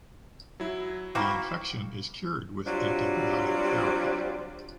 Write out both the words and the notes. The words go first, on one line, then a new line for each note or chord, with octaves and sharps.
The infection is cured with antibiotic therapy.
F#3 E4
C4 E4 F#4 F5 A#5 C#6 D6
F#3 G3 C4 D4 F4